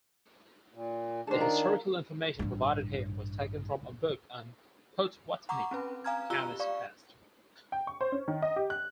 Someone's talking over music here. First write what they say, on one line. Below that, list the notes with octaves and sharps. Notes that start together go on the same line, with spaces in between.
The historical information provided here was taken from a book on Pottawattamie County's past.
A#2
D#3 D4 A4 C5
F4 A#4
A1 G2
F#5 A#5 C#6 D6
C4 C#4 B4
F5 G#5 A#5 F6 G#6
F4 G4 A#5 E6 F#6 G7
D5 F5 C#6
G5
C#6
C5
C#4
D#3
D#5
G4
F#6